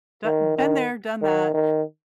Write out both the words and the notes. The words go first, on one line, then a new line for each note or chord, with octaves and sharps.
Do been there, done that,
D#3
D#3
D#3
D#3